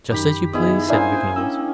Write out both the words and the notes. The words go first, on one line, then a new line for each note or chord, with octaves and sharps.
"Just as you please," said Vignolles.
F#2 D#3 G4 A#5 B5 B6
B3 D#4 E4 G#4 D5 D#5
A#3 C#4 D4 E4 G#4 C5 G#5
C#4 D4 E4 G5 E6